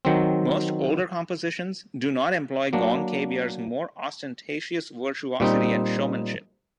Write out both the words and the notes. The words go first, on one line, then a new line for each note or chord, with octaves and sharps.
Most older compositions do not employ gong kebyar's more ostentatious virtuosity and showmanship.
D#3 F#3 C4
F#3 A#3 D4
A#2 G3 C4 D#4